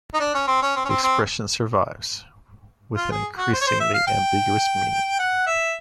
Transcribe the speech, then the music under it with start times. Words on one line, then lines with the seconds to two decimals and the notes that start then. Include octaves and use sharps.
The expression survives, with an increasingly ambiguous meaning.
0.14 D#4
0.20 D4
0.35 C#4
0.47 C4
0.62 C#4
0.76 C4
0.85 C#4
0.89 C4
1.03 C4
2.97 F4
3.12 G#4
3.38 F#4
3.53 C5
3.61 C#5
3.67 C5
3.80 E5
3.94 F5
4.07 G5
5.19 F#5
5.47 E5